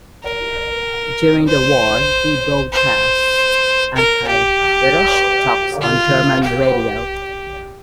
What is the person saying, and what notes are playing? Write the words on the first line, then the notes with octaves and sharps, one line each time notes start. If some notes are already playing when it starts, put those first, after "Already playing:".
During the war, he broadcast anti-British talks on German radio.
A#4
C5
C5
A#4
G4
F4
G4